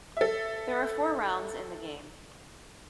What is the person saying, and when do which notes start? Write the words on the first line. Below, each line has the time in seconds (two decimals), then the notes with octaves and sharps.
There are four rounds in the game.
0.17 A4 E5